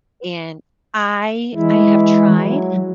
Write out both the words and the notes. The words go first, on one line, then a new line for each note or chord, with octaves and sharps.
And I I have tried,
E3 G#3 E4
F#3